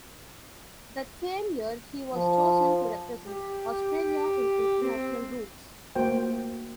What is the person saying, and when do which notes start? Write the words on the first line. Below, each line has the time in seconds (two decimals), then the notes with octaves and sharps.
That same year he was chosen to represent Australia in International Rules.
2.14 F3
3.27 G4
4.81 C4
5.96 A3 A#3 F#4 C5 G5